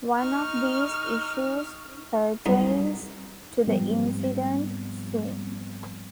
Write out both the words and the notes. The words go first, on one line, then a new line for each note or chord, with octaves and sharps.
One of these issues pertains to the incident scene.
D#4 C#6 F6
B1 G2 D#4
G#2 F3 G3 B3 C4